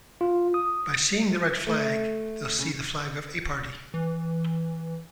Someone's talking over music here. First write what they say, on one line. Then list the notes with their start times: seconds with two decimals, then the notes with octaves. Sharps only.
By seeing the red flag, they'll see the flag of a party!
0.21 F4
0.54 D#6
1.67 A3
2.59 C#3
3.94 E3